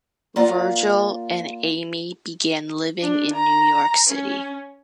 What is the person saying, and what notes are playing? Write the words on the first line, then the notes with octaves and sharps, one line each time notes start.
Virgil and Amy begin living in New York City.
A#3 F4 D5 F5 F#5
D4
A#5
C#4